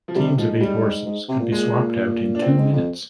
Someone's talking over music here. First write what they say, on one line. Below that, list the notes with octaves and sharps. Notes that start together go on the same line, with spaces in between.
Teams of eight horses could be swapped out in two minutes.
F3
C3 G3
G#2 F3
G3
G#2
C3
A#2
A#2 G#3
D4
A#2 C4
G#2
F2